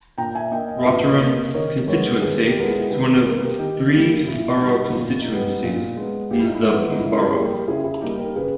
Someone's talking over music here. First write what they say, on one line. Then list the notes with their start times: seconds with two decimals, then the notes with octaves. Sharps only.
Rotherham constituency is one of three borough constituencies in the borough.
0.18 A#2 G5 A#5
0.34 E5 G#5
0.51 A#3 D#5 G5
0.68 D#5
0.79 E5
0.86 A#2 B4 D#5
1.21 A#3
1.44 D#5
1.54 D#3 A#4 C#5
1.88 G#3 B3 A#4 C#5
2.22 D#3 G#4 B4
2.45 G4 A#4
2.57 G#3 B3 A#4
2.68 E4 G#4
2.91 D#3 G#4 B4
3.24 G3 A#3 A#4
3.34 B4
3.42 G4 A#4
3.59 D#3 D#4 G4
3.93 G3 A#3
4.27 A#2 E4
4.61 G3 B3 D#4
4.95 A#2 D#4
5.22 D#4
5.29 G3 B3
5.63 A#2
5.97 G#3 B3
6.31 A#2 G4
6.39 E4
6.47 D#4
6.54 E4
6.65 G#3 B3
6.91 D#4
7.00 C#3 E4
7.14 A#4
7.21 E4 G#4
7.34 G3 A#3 G#4
7.44 G4 A#4
7.68 C#3 E4 G#4
7.84 E4 G#4
8.01 G3 A#3 D#4 G4
8.19 G4 A#4
8.36 C#3 G#4 B4